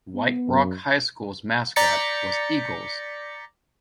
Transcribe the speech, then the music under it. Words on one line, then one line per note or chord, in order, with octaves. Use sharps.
White Rock High School's mascot was Eagles.
B3
F#2
D5 A#5 G6 A6 B6 C#7